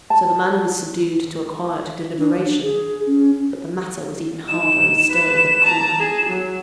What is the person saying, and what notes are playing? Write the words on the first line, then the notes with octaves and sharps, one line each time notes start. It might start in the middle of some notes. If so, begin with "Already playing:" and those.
So the manner was subdued to a quiet deliberation, but the matter was even harder and sterner than common.
A5
D4
G#4
C#4
D#4 E7
B4
A5 A#5
G#4
F#3